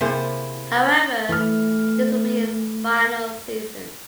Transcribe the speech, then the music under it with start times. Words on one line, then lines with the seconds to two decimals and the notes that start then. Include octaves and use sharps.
However this would be his final season.
0.01 C3 A#3 E4 G#4 C5
1.29 E3 A3 F6